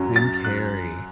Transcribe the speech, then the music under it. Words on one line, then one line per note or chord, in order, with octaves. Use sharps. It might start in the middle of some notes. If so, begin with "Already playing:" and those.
Jim Carrey.
Already playing: F#2 F#3 C#4
A6
F#6